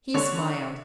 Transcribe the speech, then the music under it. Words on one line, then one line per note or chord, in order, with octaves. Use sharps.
He smiled.
D3 C#5